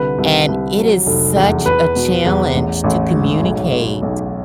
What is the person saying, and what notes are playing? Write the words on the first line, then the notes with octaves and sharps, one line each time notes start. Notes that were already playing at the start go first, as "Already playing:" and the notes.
and it is such a challenge to communicate
Already playing: C2 D3 B4
C2
C2
F#3
F1
E2
E2 B4
B2
E2
A1
A1
G#2
B1
B1
B1